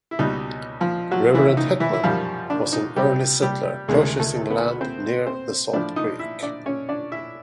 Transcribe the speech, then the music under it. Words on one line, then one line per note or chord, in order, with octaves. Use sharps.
Reverend Heckman was an early settler purchasing land near the Salt Creek.
E4
C#2 B2 G3 D#4
F3 F4
F#3 F#4
E3 E4
D#4
E3 E4
E4
F#2 D#3 F3 G3 F4
D4
D#4
G3 G4
G3 G4
D2 C3 D#3 G#3 G#4
A3 A4
B3 B4
C4 C5
C4 C5
A2 F3 D4 D5
D#4 D#5
E4 E5
D4 D5
C#4 C#5
D4 D5
E4 E5